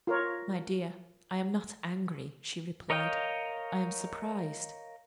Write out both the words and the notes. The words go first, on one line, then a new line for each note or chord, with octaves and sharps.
'My dear, I am not angry,' she replied: 'I am surprised.
F4 A#4 C#5
A#4 C#5 D#5 F5 G5